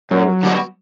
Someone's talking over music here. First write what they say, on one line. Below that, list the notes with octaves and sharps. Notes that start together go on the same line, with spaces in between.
that is
F#2 F#3
D3 G3 B3 F#4